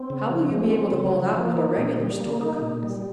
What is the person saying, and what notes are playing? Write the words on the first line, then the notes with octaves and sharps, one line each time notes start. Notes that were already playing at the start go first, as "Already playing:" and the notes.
How will you be able to hold out when a regular storm comes?
Already playing: C4
C#3
F3
G#3
C4
C#3
F3
A#3
D#4
A#2
G3
A#3
D#4
A#2
G3